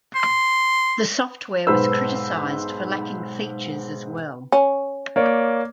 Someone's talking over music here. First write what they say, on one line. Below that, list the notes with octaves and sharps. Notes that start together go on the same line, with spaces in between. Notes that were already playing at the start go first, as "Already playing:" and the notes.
The software was criticized for lacking features as well.
C6
B1 G#2 B4 C5 E6
C#4
A#3 C#5 D5